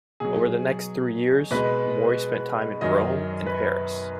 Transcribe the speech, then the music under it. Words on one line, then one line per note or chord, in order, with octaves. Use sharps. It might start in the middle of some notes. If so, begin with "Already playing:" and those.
Over the next three years, Mori spent time in Rome and Paris.
B2 F#3 G#4
B2 G#3 B4
F#2 D#3 F#3 D#5
B4